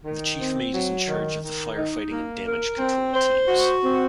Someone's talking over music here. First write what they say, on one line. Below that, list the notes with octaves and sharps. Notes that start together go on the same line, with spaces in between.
The Chief Mate is in charge of the firefighting and damage control teams.
D#3
C4
F#3
D#3
D#3
D#4
A#3
A#4
C4
C5
F#4
C4